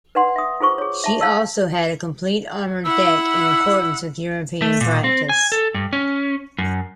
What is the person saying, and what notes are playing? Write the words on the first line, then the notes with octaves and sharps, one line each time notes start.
She also had a complete armored deck in accordance with European practice.
B4 D5 F#5 C6
E5 D#6
F4 G#4 C5 C#6
G#4 C#5
E5 A5
F5 A5 E6
E4 F#5 E6
A3
A#2
C4
G#5
A4
G2
C#4
F#2